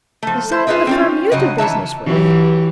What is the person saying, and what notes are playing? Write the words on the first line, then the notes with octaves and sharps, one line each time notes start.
"Is that the firm you do business with?"
F3 A3
C5
F4 G#4 B4 D#5 E5
C4 C#4 F4
G2 C#3 F#3 D#5
D#3 E3 E5 A5
E3 F#3 G4